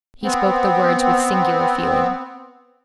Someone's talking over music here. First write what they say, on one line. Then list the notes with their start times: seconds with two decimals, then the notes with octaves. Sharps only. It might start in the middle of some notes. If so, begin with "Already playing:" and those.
He spoke the words with singular feeling.
0.24 B3 C4